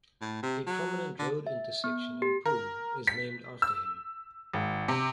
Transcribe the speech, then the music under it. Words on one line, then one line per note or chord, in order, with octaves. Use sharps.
A prominent road intersection in Pune is named after him.
A2
C3
F#3
D3
E5
B3
G4
A#4
B6
E6
G#1
C3